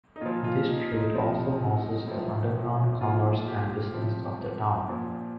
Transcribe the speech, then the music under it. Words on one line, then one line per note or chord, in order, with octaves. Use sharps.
This street also houses the underground commerce and business of the town.
D#4
A#2 F3 F4
F4
D#4
D#4
C3 F3
A2 F3
A#2 F3 F4
G4
C3 F3
A#2 F3